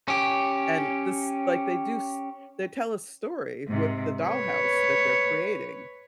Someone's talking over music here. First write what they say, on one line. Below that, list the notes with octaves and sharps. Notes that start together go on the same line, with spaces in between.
And this Like they do s they tell a story with the dollhouse that they're creating.
C#4 G4
G#2 C3
B4 C#5